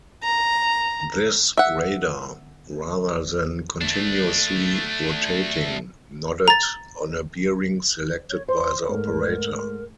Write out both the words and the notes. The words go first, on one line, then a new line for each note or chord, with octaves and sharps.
This radar, rather than continuously rotating, nodded on a bearing selected by the operator.
A#5
E5 F#5
A3 D4
A#5 A6
C#5
C5 C6
G#2 A3 A#4